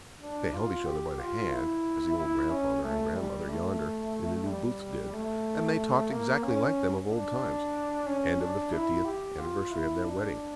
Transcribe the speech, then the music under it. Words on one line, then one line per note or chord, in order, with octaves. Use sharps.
They held each other by the hand, as the old grand-father and grand-mother yonder in the New Booths did, and they talked exactly like them of old times, and of the fiftieth anniversary of their wedding.
D4
F4
G4
F4
E4
E4
C#4
A3
G3
A3
G3
A3
A#3
C#4
D4
C#4
D4
E4
G4
F4
E4
D4